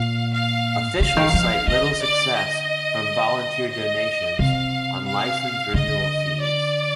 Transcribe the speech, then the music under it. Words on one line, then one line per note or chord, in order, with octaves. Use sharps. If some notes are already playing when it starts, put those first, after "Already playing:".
Officials cite little success from volunteer donations on license renewal fees.
Already playing: A#2 F5
F5
D3 F5
D#3
F3
D3 D#5
D5
D#5
D#5
C3 F5
F5
D3 D#5
D5